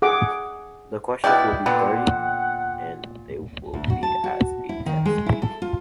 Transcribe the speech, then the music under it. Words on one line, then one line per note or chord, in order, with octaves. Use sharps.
The questions will be thirty and they will be as a test.
G#4 F#5 D6
B2 G#3 A#3 E4 D5 E5 G5
A#2 D3 B3 F#5
D2
F#4
A5
F#4
E4
D#3
G#3
E4
A4
F4